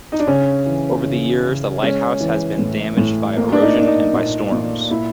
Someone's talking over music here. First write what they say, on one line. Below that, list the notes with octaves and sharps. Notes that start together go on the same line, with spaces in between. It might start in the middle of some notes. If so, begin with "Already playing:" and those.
Over the years, the Lighthouse has been damaged by erosion and by storms.
D#4
D4
C#3 C#4
E3
C#3
C#3
G#3 C#4
E3
A2
A2
A#3
D4
D#4
A#3
D4
D#4
A#2
A#2
A#2 E4